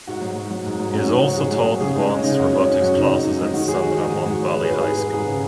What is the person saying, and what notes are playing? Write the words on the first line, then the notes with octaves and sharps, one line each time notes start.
He has also taught advanced robotics classes at San Ramon Valley High School.
G#2 F#4
F#3
F#3
F#3
G#2
F#3
F#3 C#4
G#2 D#4
G#2 F#4
F#3 G#4
F#3
F#3
C#3 G#4
G#3 D#4
G#3
C#4
C#3 D#4
F#2 F#4
F#2 C#4
F#2 D#4
F#2 F#4
C#3 D#4
F#2 D#4
F#2 D#4
G#3 D#4
D#3 F#4
G#3 G#4
F#4
D#3 D#4
G#2 D#4
G#3 F#4
G#3 F#4
G#3 C#5
G#3 B4
G#4
G#2 B4
D#3 G#4
G#2 B4
G#2 G#4
C#3